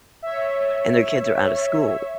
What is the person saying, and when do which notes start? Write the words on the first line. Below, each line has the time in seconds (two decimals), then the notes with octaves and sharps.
and their kids are out of school,
0.22 C#5 E5